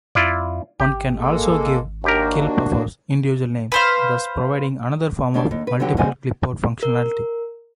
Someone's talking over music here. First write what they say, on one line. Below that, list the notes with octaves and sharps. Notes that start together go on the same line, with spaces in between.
One can also give kill-buffers individual names, thus providing another form of multiple-clipboard functionality.
F2 E4 F4 D5
G#1 G4
G#3 A#3 A4
D#2 A#3 D4 F#4 G4 A#4
B4 C5 F5
D2 C#3 D4 G4 C#5 D5
D#2
B4
E2 D3 E3 F#3 G4
D#2 G3 C4 F#4 F#5 G#5
A#4